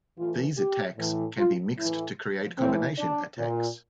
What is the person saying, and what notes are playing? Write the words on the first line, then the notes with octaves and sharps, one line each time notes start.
These attacks can be mixed to create combination attacks.
A2 E3 F4
G4
A2 E3
F4
A2 E3 E4
A2 E3 C4
D4
A#2